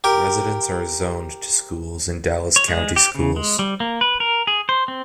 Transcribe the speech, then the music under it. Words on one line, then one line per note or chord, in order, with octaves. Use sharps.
Residents are zoned to schools in Dallas County Schools.
G4 A#4
C#5
G#3
G4
C#3
G#3
G3
A#3
B4
A#4
G#4
C5
C4